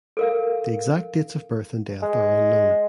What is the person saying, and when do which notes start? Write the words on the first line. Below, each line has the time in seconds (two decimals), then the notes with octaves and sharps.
The exact dates of birth and death are unknown.
0.17 A4 A#4 F5
2.02 G#3